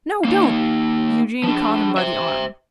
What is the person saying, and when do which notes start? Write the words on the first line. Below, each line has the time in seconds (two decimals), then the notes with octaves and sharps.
'No, don't!' Eugene caught him by the arm.
0.25 A#3 D#4
1.43 F3 D4
1.97 C5 E5